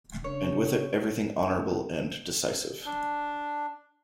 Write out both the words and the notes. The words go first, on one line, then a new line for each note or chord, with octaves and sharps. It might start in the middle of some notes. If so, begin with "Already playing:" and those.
And with it, everything honourable and decisive.
C#3 D4 C#5
D4